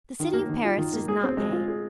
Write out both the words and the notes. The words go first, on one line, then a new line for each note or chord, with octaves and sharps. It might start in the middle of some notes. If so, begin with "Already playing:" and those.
The city of Paris does not pay.
D#3
A#3
D#3
F4
D#3
A#3
G#4
C4
G#3
F4
G#4